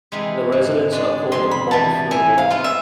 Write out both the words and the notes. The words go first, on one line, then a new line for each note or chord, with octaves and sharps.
The residents are called "Montfrinois".
C3 E3 G#3
G#2
G#3 D4
F2 C6
B5
C3 E3 A5
E3 G#5
F5
B3 F4
E5